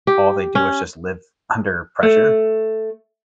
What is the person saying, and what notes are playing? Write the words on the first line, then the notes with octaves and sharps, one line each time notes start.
all they do is just live under pressure?
G4
C#4
A3